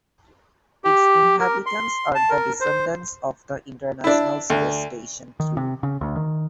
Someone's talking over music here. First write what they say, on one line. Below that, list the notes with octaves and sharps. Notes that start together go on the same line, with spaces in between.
Its inhabitants are the descendants of the International Space Station crew.
G4
A#4
C6
A5
A#4
C5
D4 E4
D2
D#3
C3
C#3
D2
D#3